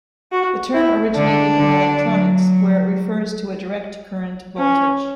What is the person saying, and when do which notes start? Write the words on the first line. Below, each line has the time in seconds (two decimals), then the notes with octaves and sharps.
The term originated in electronics, where it refers to a direct current voltage.
0.32 F#4
0.74 E4
1.16 D3 D4
1.59 D3
2.01 F#3
4.58 C#4